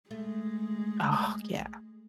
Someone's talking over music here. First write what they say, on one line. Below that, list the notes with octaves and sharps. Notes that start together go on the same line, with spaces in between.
Oh, yeah.
G#3 A3